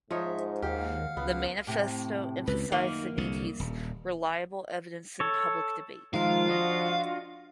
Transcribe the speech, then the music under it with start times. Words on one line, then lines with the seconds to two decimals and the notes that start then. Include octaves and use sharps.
The manifesto emphasised the need to use reliable evidence in public debate.
0.11 G#2 F3 D#4 C#5 E5
0.62 D#2 G4 F5 F#5 F6
1.17 C#2 B3
1.67 A2 C3
2.47 C#2 B4
2.72 F#2 D#3 A#3 F5
3.17 C2 D3
3.60 D#1
5.20 A4 C#5
6.14 D#3 F3 G#3 F4 A#4 F5
6.48 D4 F#4 D#5